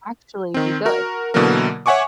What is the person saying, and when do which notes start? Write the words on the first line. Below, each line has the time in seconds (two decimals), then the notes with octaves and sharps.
actually be good.
0.54 D#3 C4
0.85 F#4 A#4
1.34 B2 D3 E3 F#3 A#3 A#4
1.86 C#5 E5 F#5 G#5 C#6 D6